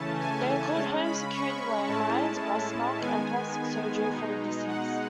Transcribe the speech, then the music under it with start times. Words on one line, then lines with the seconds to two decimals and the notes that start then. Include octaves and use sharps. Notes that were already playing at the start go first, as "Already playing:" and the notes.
They include home security land mines, breast milk, and plastic surgery for the deceased.
Already playing: C#3 E3 A3 C#4 A5
0.18 G#5
0.75 C#3 G#3 C#4 A5
1.03 B5
1.30 C#6
1.86 A2 G#3 C#4 E4 A5
2.99 D#3 G#3 B3 G#5
4.11 B2 G#3 D#4
4.67 F#5